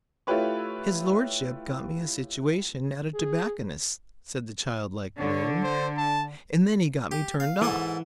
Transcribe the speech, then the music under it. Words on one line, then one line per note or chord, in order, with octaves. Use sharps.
"His lordship got me a situation at a tobacconist's," said the child-like Moon, "and then he got me turned off."
A3 E4 F4 G4 B4 C#5
G#4
D3 C#5
C5
A5
G4
F5
G#2 E3 A4 F#5